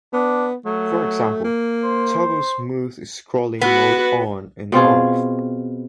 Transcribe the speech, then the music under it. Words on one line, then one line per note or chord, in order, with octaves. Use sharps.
For example, toggles smooth scrolling mode on and off.
B3 D4
F#3 A3
A#3
C5
B3 F#4 B4
B2 C4 F4 G#4